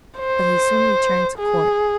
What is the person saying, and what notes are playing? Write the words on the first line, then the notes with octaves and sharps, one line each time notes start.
But he soon returned to court.
C5
G#4